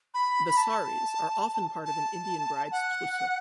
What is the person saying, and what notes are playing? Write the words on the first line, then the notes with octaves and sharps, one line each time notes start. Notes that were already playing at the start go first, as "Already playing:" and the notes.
The sarees are often part of an Indian bride's trousseau.
B5
B5
A5
A5
F#5